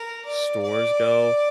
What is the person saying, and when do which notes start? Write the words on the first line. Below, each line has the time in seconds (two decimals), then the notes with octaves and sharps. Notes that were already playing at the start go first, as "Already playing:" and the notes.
stores go,
Already playing: A#4
0.25 D5
0.63 D5